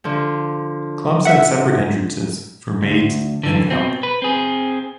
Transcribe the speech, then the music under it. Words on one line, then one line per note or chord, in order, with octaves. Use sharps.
Clubs had separate entrances for maids and the help.
D3 F3
E5 F#5
D2
D3 E3
B2 C4
B4
C4 G#4